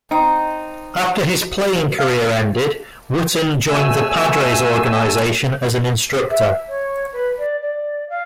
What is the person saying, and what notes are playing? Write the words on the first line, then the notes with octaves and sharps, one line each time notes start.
After his playing career ended, Wooten joined the Padres organization as an instructor.
C4 D#4
F5
B2 A3 G#5 E6
E5
C#5
B4
D5
D5
F5